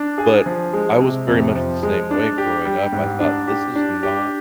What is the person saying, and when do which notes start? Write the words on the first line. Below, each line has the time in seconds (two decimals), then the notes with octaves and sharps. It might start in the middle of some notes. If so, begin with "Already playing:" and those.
But, I was very much the same way growing up. I thought this is not
Already playing: D4
0.18 G#4
0.46 F3
0.73 G#3
1.00 C3
1.28 F2
1.55 F3
1.83 G#3
2.11 D4
2.38 G4
2.65 G3
2.93 G#2
3.20 D4
3.48 G4
3.76 D4
4.03 G4